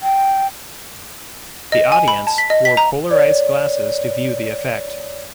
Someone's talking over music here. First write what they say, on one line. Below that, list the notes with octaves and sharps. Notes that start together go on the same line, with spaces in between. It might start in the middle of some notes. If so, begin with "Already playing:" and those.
The audience wore polarized glasses to view the effect.
G5
D#5
G#5
B5
A5
B6
D#5
B6
A#5
C#5 D5